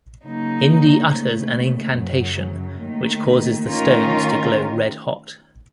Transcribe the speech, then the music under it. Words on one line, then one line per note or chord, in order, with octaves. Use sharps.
Indy utters an incantation which causes the stones to glow red hot.
C#3 F#3 A#3 D#4
D#2 C#3 A3
F#2 C#3 F#3
D#2 D#3 A3
D#3 A3 C#4 F4 A#4